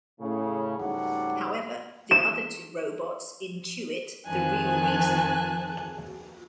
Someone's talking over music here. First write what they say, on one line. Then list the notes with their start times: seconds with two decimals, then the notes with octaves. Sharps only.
However, the other two robots intuit the real reason.
0.20 A2 C#3
0.78 C#2 G#2 F#3 G3 A3 F#5
2.11 E7
4.26 F2 D#3 F3 G#5 A5 F#6